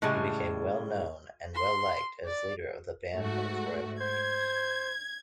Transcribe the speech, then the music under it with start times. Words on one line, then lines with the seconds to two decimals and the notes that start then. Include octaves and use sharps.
He became well-known and well-liked as leader of the Band of the Royal Marines.
0.02 A2 C#3 G3 G#3
1.55 C6
2.25 D5
3.13 G#2 A3 F#4
4.00 C5 G#6